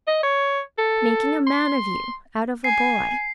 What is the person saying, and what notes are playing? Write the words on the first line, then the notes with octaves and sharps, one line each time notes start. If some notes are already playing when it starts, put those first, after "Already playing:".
Making a man of you, out of a boy.
D#5
C#5
A4
C6
G#5 C7